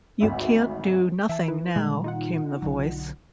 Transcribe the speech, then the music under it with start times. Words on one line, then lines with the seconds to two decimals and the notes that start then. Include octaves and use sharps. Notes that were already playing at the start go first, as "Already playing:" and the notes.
"You can't do nothing now," came the voice.
0.20 G#1 D2 E5
1.29 E3 E5 A5
1.48 E4 B4
1.76 A#2 D#3 G3 G#3
2.04 D#4 F4 F#5
2.62 B1 D3 F#3